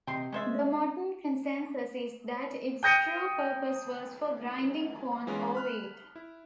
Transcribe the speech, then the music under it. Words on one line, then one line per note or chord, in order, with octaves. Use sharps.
The modern consensus is that its true purpose was for grinding corn or wheat.
C3 D#5 G5 C6
G#3 C#4 C5 E5 G#6 A6
G5 D#6 G6 A#6 C#7 D#7
E3 G#3 B3 C#4 F4
B5 F6 F#6
E4